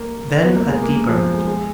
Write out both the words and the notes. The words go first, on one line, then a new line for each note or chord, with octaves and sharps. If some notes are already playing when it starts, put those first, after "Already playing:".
Then a deeper matter.
Already playing: A#3
B3
A#3
G#3
A#3
A#3
F3
G#3
G#3